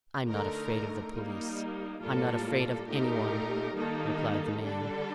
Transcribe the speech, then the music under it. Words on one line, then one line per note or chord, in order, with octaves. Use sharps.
"I'm not afraid of the police--I'm not afraid of anyone!" replied the man.
D3 A3 D#4 A#4
G3 A#3 D#4
A2 G3 A#3 F4 A4
A#2 A3 D#4 G4 A#4
D#3 G3 A#3 D#4 A4
D3 G3 D4 A4